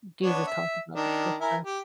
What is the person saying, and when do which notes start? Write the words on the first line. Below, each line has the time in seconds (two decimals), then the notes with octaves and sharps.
Jesus talked about the first press.
0.23 B3 D4 C#5
0.47 E5
0.95 D#3 D4
1.41 E4 A#4 G#5
1.65 G4